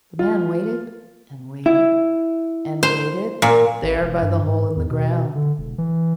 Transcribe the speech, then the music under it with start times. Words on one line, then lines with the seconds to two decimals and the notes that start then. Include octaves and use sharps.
The man waited and waited and waited there by the hole in the ground.
0.19 F4
1.66 E4
2.83 C5
3.42 A#2
3.83 A1
3.99 E1
4.22 G2
4.46 G#2
4.76 E2
4.91 B2
5.35 D3
5.58 E1
5.78 E3